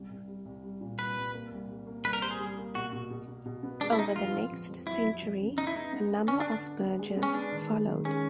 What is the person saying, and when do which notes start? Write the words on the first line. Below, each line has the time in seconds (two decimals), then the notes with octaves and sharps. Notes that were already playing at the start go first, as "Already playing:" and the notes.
Over the next century, a number of mergers followed.
Already playing: C2
0.10 C2
0.28 G3
0.45 C2
0.63 G3
0.81 A#2
0.98 C2 B4
1.17 C2
1.33 A#3
1.52 C2
1.69 G3
1.87 A#3
2.04 C2 B4
2.13 A#4
2.22 G3 C5
2.31 G#4
2.39 G3
2.57 A#3
2.75 B2 F#4
2.93 B2
3.10 B2
3.28 B2
3.45 B2
3.63 B3
3.81 G#3 D4
3.92 E4
3.98 B3 D#4
4.16 F2 F4
4.34 F2
4.52 F2
4.69 F2
4.87 F#3 E4
5.05 F2
5.22 F2
5.40 C#3
5.58 B3 D#4
5.67 E4
5.75 B3 D#4
5.93 B3
6.11 D4
6.28 D3 C#4
6.40 D4
6.46 D3
6.52 D4
6.64 D4
6.81 B3
6.99 G#3
7.16 B3
7.23 C#4
7.34 B3 D4
7.52 D#3
7.70 G#3
7.88 D#3
8.05 G#3 C#4